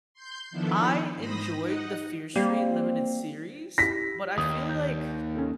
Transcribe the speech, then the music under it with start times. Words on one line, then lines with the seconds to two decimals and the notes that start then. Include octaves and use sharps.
I enjoyed the Fear Street Limited series, but I feel like
0.13 C6 G6
0.51 D#3 F3 B3 D4 E4 A4
1.17 G#2 C5 B5 D#6 A#6
1.59 D#4 D#5 F#5
2.36 G3 A#3 C4
3.78 E4 G4 A#6 B6
4.38 D#2 D#6
4.69 G6
5.35 C#4 A4